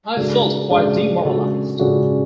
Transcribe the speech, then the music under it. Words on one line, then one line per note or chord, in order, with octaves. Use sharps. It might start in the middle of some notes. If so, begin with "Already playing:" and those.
I felt quite demoralised.
C#3 G#3 D4 F#4 A4
C#3 G#3 D4 F#4 A4
C#3 G#3 D4 F#4 A4
C#3 G#3 D4 F#4 A4